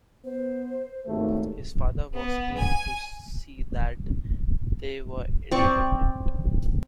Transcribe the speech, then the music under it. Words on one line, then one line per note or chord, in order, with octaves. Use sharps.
His father was keen to see that they were independent.
B3 C5
G#1 D#2 A2 A3
B3
G#5
C4 D5 C#6